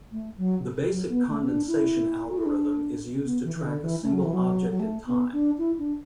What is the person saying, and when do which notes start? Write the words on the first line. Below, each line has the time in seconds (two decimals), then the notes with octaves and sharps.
The basic Condensation algorithm is used to track a single object in time.
0.12 A3
0.37 F#3
0.90 F#3
1.09 B3
1.29 A3
1.44 B3
1.48 D4
1.67 E4
2.29 F#4
2.38 E4
2.46 D4
3.25 B3
3.44 E3
3.55 E3
3.64 D3
3.82 E3
4.03 A3
4.13 F#3
4.23 E3
4.34 F#3
4.71 F#3
4.80 A3
5.06 B3
5.33 D4
5.58 E4
5.78 D4